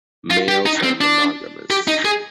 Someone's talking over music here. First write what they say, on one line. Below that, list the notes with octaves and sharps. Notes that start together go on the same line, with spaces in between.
Males are monogamous.
F4
G4
D#4
C4
D4
G4
D#4
G#4